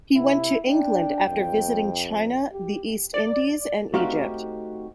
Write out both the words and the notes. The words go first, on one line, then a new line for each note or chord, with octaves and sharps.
He went to England after visiting China, the East Indies and Egypt.
C3 E4
D4 G5
F2
G4
D5
A3 C4 D#4 F#4 G4 F5